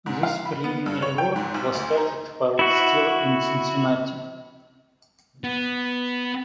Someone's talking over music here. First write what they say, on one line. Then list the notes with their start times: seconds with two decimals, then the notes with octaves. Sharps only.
This preliminary work was started while still in Cincinnati.
0.06 G#2
0.23 F5
0.46 B5
0.64 B3
0.86 G2
1.02 C#5
1.18 G5
1.36 G#2
1.54 B1
1.75 D2
1.97 D#4
2.59 E4 F#4
5.44 B3